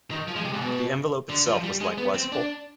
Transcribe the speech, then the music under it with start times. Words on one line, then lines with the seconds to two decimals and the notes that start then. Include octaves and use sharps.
The envelope itself was likewise full.
0.11 D#3
0.28 F3
0.36 G#3
0.44 C3
0.53 G#2
0.61 B2
1.29 D3
1.46 F3
1.63 G3
1.81 G#3
1.98 B3
2.15 C4
2.32 D4